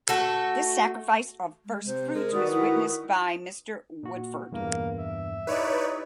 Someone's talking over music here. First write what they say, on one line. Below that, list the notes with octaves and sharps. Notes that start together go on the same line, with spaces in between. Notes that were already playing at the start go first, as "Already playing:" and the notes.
This sacrifice of first-fruits was witnessed by Mr. Woodford.
A3 F#4 A4
G#3
C3 C5
G#3 A#4
D#3 F#4 B4 D5 D#6
E4
A#2 F#4
E2 G2 A#2 A#3
E5
D#4 E4 G4 B4 C#5 D5